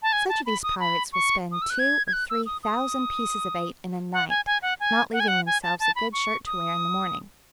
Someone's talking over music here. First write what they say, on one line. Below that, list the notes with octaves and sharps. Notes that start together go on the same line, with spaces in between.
Such of these pirates will spend two or three thousand pieces of eight in a night, not leaving themselves a good shirt to wear in the morning.
A5
G#5
A5
B5
D#6
B5
C#6
D#6
E6
F#6
G#6
G#6
F#6
E6
D#6
D#6
F#5
G#5
G#5
F#5
G#5
F#5
G#5
F#5
G#5
A5
A5
B5
C#6
D#6